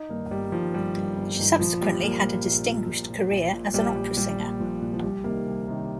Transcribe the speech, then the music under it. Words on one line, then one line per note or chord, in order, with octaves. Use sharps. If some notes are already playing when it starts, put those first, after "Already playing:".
She subsequently had a distinguished career as an opera singer.
Already playing: D#4
G2 D#3 A#3
G1 G3
G2 D#3 F3
G1 G3
G2 D#3
G1
G2 D#3
A#1 F3
A#2 G3
A#1 A#3
A#2
A#1
A#2
A#1
A#2
A#1
A#2
A#1 G3
A#2 G3
A#1 G3
A#2
A#1 F3
A#2
F3
C2 G3
C3 D#3 A#3
C2
C3 D#3